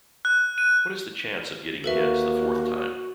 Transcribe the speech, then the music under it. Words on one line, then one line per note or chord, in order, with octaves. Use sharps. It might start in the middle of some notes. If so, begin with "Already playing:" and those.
What is the chance of getting heads the fourth time?
F#6
D#7
D#2 A#3 F#4 A4 B4 E5